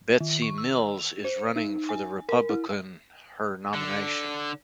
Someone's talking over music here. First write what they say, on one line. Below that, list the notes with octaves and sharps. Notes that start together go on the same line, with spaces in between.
Betsy Mills is running for the Republican her nomination.
D#3
C#6
E6
F7
C5
D#4
G#5
A#4
E4
D3